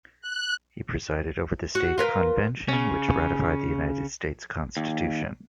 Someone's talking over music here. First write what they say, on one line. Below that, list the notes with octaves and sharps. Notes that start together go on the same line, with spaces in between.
He presided over the state convention which ratified the United States Constitution.
F#6
F#4
F4 A#4 B4
C#3 C#4
D#2